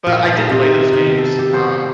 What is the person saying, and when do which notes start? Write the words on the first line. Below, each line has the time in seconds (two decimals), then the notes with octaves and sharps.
but I did play those games, um,
0.07 A#2
0.33 D#4
0.49 C3
0.63 D#3
0.93 D#3
1.18 A4
1.39 G4
1.54 C5